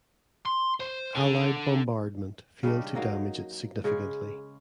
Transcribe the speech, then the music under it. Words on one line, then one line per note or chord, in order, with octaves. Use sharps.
Allied bombardment failed to damage it significantly.
C6
C5
D3
C#3 G3 D4 D#4
F#3 A#3 D#4
C#3 G#3 G#4